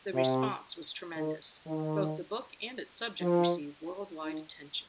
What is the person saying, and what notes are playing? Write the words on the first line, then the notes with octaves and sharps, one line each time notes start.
The response was tremendous; both the book and its subject received worldwide attention.
C3
D#3
D#3
F3
D#3